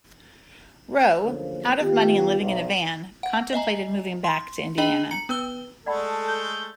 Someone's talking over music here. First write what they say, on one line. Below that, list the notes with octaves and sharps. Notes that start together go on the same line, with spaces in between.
Roe, out of money and living in a van, contemplated moving back to Indiana.
F#1 D2 C#3 F3 A#3 C5
D#3 B3 F4 G4
B1
F#5
D#5 E5 G#5 A#5
C6
D4 G#4 D#5 G5 B5 F#7
A#5 C#7
B3 B4 E6 G7
G#3 A3 A4 D5 F#5 B5
G6